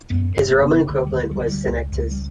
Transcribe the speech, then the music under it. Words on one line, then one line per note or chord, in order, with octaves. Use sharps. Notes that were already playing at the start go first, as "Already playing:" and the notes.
His Roman equivalent was Senectus.
F#2 B3
G1
A#3
C#3 B3
D2
G3
D2 A#3
G3
D2
G3
C#2
C#2
G3